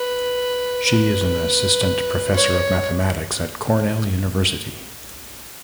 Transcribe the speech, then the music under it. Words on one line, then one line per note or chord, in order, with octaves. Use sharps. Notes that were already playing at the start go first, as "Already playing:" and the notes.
She is an assistant professor of mathematics at Cornell University.
Already playing: B4
B4
C#5